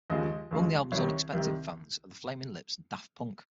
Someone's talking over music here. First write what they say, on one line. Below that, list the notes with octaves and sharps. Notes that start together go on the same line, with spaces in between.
Among the album's "unexpected" fans are the Flaming Lips and Daft Punk.
D#2 C#3 F3 G#3 D#5
D#2 C#3 F3 G#3
C2 C3 D#3 C#5
C2 C3 D#3